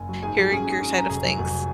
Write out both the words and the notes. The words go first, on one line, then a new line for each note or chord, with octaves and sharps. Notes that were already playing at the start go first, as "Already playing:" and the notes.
hearing your side of things.
Already playing: F#1 G#5
F#3
G#2 G#4 G#5
F#3 G#4 G#5
C#4 G#4 G#5
G#2
C#4
F#3 A#5
F1 G#4 G#5
F#3
F1